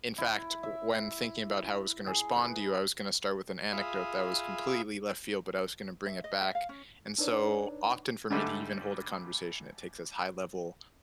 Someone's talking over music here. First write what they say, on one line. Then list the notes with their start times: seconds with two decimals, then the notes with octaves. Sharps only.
In fact, w when thinking about how I was gonna respond to you, I was gonna start with an anecdote that was completely left field, but I was gonna bring it back, and so often for me to even hold a conversation, it takes this high level
0.18 E4
0.63 E5
2.07 G#4
2.36 B4
3.72 F4 G#4 E5 F5 B5 D#6
6.06 E5
6.24 D#5
6.42 E5
6.55 F5
6.69 C#4
7.18 D4 D#4 B4 C#5 D5
8.30 G#2 D3 G3 A3